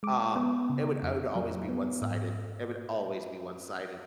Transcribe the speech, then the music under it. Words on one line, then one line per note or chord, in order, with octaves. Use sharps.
um, it would I would always be one-sided it would always be one-sided,
G#3 D6
B3
C#3
F2
F#3
B3
G#2